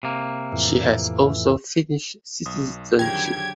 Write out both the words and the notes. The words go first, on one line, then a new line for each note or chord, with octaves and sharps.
She has also Finnish citizenship.
C3 A#3
F2 A2 E3
B1 D#6
F2 D3 D#3 F#3 G4 G#4 G5 G#6